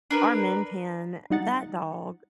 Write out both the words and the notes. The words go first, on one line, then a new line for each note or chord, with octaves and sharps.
our Min Pin, that dog,
D4 A#4 B4
G3 D#4 F#5 A6